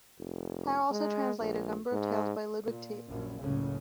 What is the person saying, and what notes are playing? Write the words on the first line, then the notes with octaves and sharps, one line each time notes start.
Hare also translated a number of tales by Ludwig Tieck.
F1
G#3
A#1
G#2
A#2
A#1 F#2
F#1 C#2 A2 C#3